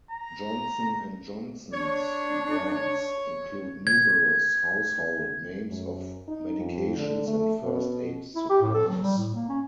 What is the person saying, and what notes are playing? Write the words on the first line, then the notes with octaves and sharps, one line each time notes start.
Johnson and Johnson's brands include numerous household names of medications and first aid supplies.
A#5
D4 C#5
G#6
F#2
D#4
F2
D3
A3
B2
E4
G4
A2
A4
F#3
G3
A2
A#3
C#4